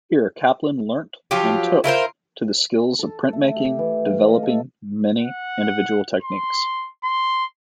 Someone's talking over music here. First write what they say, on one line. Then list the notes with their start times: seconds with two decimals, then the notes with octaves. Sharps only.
Here Kaplan learnt and took to the skills of printmaking, developing many individual techniques.
1.31 F3 F#3 F4 G4
1.84 E4 F4 A#4 C5
2.99 A4
3.33 A3
3.56 G4
3.79 E3
4.06 F5
4.27 D#5
4.43 A4
5.18 F#5
6.22 C6
7.04 C6